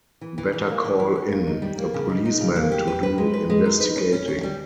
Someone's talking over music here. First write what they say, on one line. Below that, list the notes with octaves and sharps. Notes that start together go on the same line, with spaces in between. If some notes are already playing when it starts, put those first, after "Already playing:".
Better call in a policeman to do investigating.
E3
E3
E3
A#3
E3
E3
C#4
A#3
D#4
G3
A#3
C#3
D#4
D#4
C#3
A#3
G4
B4
B4
G#3
B4
G#3
D#4
B4
C#4
C#4
C#4
G3